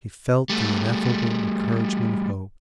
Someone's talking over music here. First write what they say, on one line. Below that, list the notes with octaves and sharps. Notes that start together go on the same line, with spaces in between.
He felt the ineffable encouragement of hope.
G3 A3